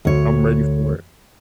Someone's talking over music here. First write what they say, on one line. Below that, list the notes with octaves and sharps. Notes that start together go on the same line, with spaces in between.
I'm ready for it.
D2 C#5